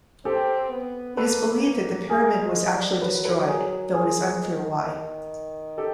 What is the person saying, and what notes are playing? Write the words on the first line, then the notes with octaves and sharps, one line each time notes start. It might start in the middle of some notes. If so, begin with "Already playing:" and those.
It is believed that the pyramid was actually destroyed, though it is unclear why.
C4 G4 A4
B3
A#3 A4 B4
A3 G#4 A#4
G#3
G3
F#3 B4
A4 B4
G#4 A#4
F3 G#4 A#4
D#3
G4 A4